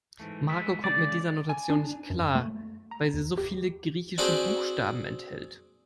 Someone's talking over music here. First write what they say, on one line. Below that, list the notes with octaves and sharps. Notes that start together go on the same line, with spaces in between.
Marco kommt mit dieser Notation nicht klar, weil sie so viele griechische Buchstaben enthält.
G#2 E3 A3
G#3 B3 E5
C#3 G#3 D5
G#5
D4
F#2
A3
A#5
D#2
G4
C4 D4 F#4 G#4 B4 C5